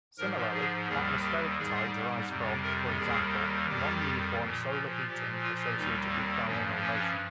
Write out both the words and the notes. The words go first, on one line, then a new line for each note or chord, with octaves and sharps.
Similarly, atmospheric tides arise from, for example, non-uniform solar heating associated with diurnal motion.
G#2 F3 A#4
G#4
D#2 D#3 G3 G#4
G4
G#2 G3 G#4
F2 C3 G3
A#4
D#2 D#3 G3 G#4
F2 D#3 G3 G4
A#2 F3
A#2 F3 G4
F4
D#2 D#3 G3 D#4
C4
G2 F3 C#4
C#4